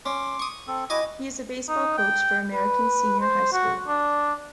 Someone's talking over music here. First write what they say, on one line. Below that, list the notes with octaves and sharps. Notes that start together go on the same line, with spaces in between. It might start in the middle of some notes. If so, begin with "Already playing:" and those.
He is a baseball coach for American Senior High School.
C#4 C6 D6
C#6 D#6
C4 A4
E4 F#4 D#5 G#5 D6
D#4
G5
B4
C5
F#4
D4